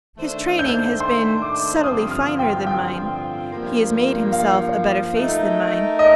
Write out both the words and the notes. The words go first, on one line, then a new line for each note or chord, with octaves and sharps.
His training has been subtly finer than mine; he has made himself a better face than mine....
D#3 A3 D4 A4 C5
G6
C6
D6
G2 D3 F3 C4 F4 D#6
F6
G5
G5
G2 F3 A#3
F5
A3 D#4 A#4
D#5